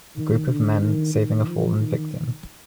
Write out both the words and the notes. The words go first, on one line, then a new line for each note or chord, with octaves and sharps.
A group of men saving a fallen victim.
D#3
D3
D#3
D#3
F3
D#3